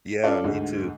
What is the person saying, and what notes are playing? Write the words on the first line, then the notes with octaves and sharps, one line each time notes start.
Yeah, me too.
C#4 F4 A4 D5
D2 G#2 D3